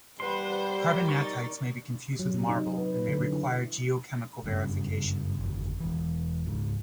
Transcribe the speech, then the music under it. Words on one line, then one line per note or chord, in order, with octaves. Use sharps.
Carbonatites may be confused with marble, and may require geochemical verification.
G3 B4 C5 F#5 C6
A#4 D5
D#4 C#6 A6
F#3
C3
D#4
F#3
B4
B4
D3
F#3
E4
F#1 G2 C#3
G1 F2
E1 E3
C#2 G#2